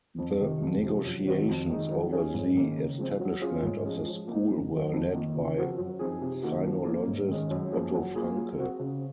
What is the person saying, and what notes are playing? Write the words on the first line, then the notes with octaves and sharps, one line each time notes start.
The negotiations over the establishment of the school were led by sinologist Otto Franke.
F2
C3 D#3
F2
C3 F3
F#2
D#3 F#3 C4 F#4
F2
D#3 G#3 D#4
F#3
C#4 G#4
G#2
D#3 A#3 C#4
C#3
F3 G#3 C4
F#3
C#4 F4 G#4
G#2
F3 G#3 C#4
F3
A#3 D#4
F2
D#3 F#3
F2
D#3 A#3 F4
C#3
F3 C4 F#4 A#4
F#2
F3 C4 D#4 G#4
C3
D#3 A#3 D#4 F#4
F3
A#3 C#4
G#2
D#3 G#3 C#4
F#2
F3 A#3 C#4 G#4
F#3
A#3 F4 G#4
F#3
C4 F#4
C#3